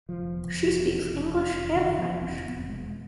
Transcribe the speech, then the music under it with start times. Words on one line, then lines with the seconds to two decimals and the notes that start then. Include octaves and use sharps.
She speaks English and French.
0.09 F1 F3
0.33 E2
0.57 F1
0.80 B2
1.03 F1
1.28 E2
1.51 F1
1.75 B2 D3
1.87 E3
1.99 F1 F3
2.22 E2 C4
2.46 F1 B3
2.69 B2 G#3